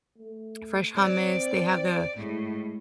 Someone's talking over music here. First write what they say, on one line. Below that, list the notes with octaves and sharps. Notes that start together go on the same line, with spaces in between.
Fresh hummus, they have the
A3
C4 D5
A2 G#3